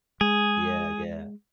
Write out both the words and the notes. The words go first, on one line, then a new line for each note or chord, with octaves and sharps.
Yeah, yeah.
G#3 G#4